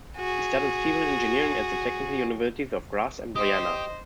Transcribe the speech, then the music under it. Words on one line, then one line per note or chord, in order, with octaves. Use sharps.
He studied civil engineering at the Technical Universities of Graz and Vienna.
F#4 G#4
G4 C5 D#5 D#6